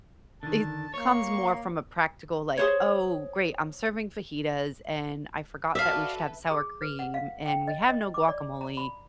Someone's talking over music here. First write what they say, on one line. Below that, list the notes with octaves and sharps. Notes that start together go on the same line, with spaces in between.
it comes more from a practical, like, "Oh, great. I'm serving fajitas, and I forgot that we should have sour cream, and we have no guacamole.
D3 D#3 A5
A#3 C#5 C#6
G#4 C5 C#5
F#4 A4 B4 D5 E5 F5
G#4
B4
F#5
F5
G5
D#5
D#5
D6
D5
A#5
B5